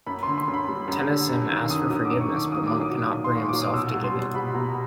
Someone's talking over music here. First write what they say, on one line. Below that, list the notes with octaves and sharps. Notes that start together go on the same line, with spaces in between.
Tennyson asks for forgiveness, but Monk cannot bring himself to give it.
F#2 B5
C6
D3
C6
F#2
B5
G3
F#2
D3
F#2
D#3
F#2 D#6
F#3 D#6
D6
F#2
C#6
D#3 D6
A#2 D#6
F#3 D6
D#6
F#3
A#2
C6
A#2 C#6
F#3 D6
D#6
B2 E6
G3
C6
G3
B2 B5
B2 A#5